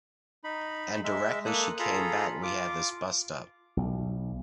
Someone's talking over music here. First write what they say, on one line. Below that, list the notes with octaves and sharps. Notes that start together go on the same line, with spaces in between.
And directly she came back we had this bust-up.
D#4 B5
G#3 E5
A#3 A4 D#6 F#6
F4 G#4 A4 A#5 B5
F4 D6
B1